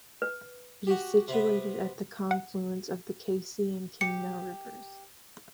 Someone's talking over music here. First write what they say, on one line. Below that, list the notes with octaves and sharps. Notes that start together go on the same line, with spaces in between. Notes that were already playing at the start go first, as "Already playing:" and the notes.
It is situated at the confluence of the Keisie and Kingna rivers.
B4
F#4 G4
C3 B3
F#5
G4 C#7